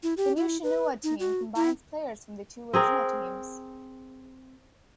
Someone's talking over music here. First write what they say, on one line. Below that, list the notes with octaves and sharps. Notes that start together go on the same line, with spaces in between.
The new Shenhua team combines players from the two original teams.
E4
G4
E4
B4
D#4
F#4
E4
C4 G#4 A#4